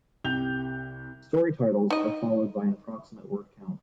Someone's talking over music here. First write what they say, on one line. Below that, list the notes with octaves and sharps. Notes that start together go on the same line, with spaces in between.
Story titles are followed by an approximate word count.
C2 G4 G6 F7
D#4 D#5